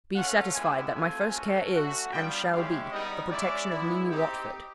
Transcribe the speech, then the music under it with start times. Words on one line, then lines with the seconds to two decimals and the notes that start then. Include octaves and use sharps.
Be satisfied that my first care is, and shall be, the protection of Mimi Watford.
0.15 A3 C#4 F4 F#5
0.54 G#3 B3 E4 G4 G#5
0.94 A3 C4 F4 G#5
1.34 A3 C#4 F#4
1.73 A3 C#4 F#4
2.13 G3 B3 D4 F4 G5
2.52 G#3 C#4 E4 G4 F5
2.92 G3 B3 D#4 D#5
3.31 G#3 C#4 E4 D5
3.71 G#3 B3 E4
4.10 C4 D#4 G4